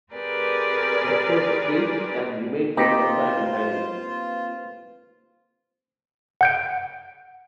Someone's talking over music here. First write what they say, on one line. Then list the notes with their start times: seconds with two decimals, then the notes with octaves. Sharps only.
Hector escaped and remained for some time in hiding.
0.12 C4 G4 G#4 A#4 B4 D5
2.77 A#3 C4 D#4 F4 G4 B4 C5
6.41 F#5 G6 D7